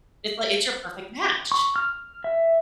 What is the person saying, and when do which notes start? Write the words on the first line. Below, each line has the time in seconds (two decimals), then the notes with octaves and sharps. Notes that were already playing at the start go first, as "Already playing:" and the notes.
It's like it's your perfect match!
1.52 C#6
1.76 F6
2.24 E5